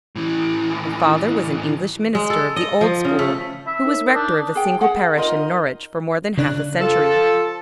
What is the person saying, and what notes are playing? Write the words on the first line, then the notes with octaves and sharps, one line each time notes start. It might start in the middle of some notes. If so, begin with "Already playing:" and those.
Her father was an English minister of the old school who was rector of a single parish in Norwich for more than half a century.
A2 E3
G#3
A4
D#5
F3
C#3
A3
E5
D#4 A#4 C#5
D4 D#6 F#6 G6
G#4 G5
G#4 F#5
D#4 F4 A#4 D#5
C#3 D4 F#6
F3 F4 A4